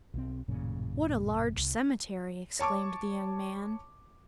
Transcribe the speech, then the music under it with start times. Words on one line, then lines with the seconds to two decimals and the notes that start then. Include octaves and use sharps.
"What a large cemetery!" exclaimed the young man.
0.14 B1 E3 C4
0.48 A1 F#2 A#2 C#3
1.57 C2
2.59 C#5 A5 C#6 D6